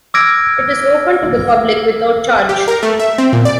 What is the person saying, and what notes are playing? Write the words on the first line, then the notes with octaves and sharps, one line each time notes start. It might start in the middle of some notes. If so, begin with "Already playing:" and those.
It is open to the public without charge.
D6 E6 F6 G#6 A#6 D7
G4
A#4
A3
E5
C4
A#2
D5